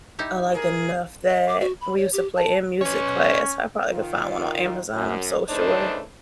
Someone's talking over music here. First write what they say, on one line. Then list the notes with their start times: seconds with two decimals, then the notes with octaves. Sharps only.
I liked enough that we used to play in music class. I probably could find one on Amazon, I'm so sure,
0.19 D#4 E4 G4
0.55 G#4 A#4
1.29 D#5
1.49 D6
1.60 F#4
1.81 B5
1.97 C#5
2.13 G4
2.36 A5
2.81 C#4 B4 C#5
3.93 D#3 F4
4.93 F#2
5.49 C#3 E3 A3 D4 D#4 C5